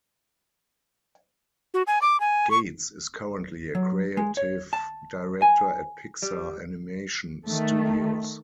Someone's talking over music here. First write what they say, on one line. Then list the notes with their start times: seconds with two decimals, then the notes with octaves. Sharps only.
Gates is currently a Creative Director at Pixar Animation Studios.
1.74 F#4
1.87 G#5
2.02 D6
2.20 G#5
2.51 C#6
3.75 F#3
4.17 G#3
4.37 C#5
4.73 A5
5.42 G#5
6.22 G3
7.48 D#3 A3